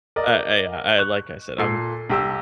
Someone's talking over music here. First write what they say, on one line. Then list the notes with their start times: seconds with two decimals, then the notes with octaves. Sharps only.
I I I like I said, "I'm
0.16 A#4 D5 D#5
0.99 C#6 F#6
1.58 A#2 A4 C7
2.10 C2 G4 D6 E6